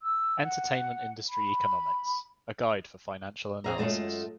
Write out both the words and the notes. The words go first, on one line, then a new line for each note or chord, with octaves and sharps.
"Entertainment Industry Economics: A Guide for Financial Analysis".
E6
F#5
B5
C4 G#4 A#5
F#2 A#2 G#3 A3 F4